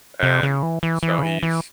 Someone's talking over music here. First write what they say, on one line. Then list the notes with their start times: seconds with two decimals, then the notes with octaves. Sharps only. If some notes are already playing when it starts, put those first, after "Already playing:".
And so he's,
0.23 C3
0.43 C#3
0.63 E3
0.83 E3
1.03 E3
1.19 C#3
1.23 E3
1.43 E3